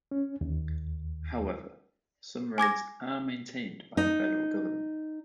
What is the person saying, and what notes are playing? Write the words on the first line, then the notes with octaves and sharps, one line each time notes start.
However, some roads are maintained by the federal government.
C#4
D#2
G#5 D6 G#6 A#6
D#4